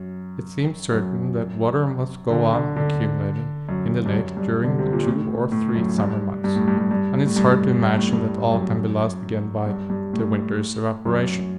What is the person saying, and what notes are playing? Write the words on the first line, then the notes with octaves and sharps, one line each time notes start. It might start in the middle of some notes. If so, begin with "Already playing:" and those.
It seems certain that water must go on accumulating in the lake during the two or three summer months, and it is hard to imagine that all can be lost again by the winter's evaporation.
Already playing: F#2
F#2
D3
D3
D3
F#2
G2
F#2
G2
D3
C3
A#2
A2
A2
F#2
G2
G2
A2
G2
G2
G2
A2
G2
G2
A2
A2
G2
F#2
G2
G2
A2
F#2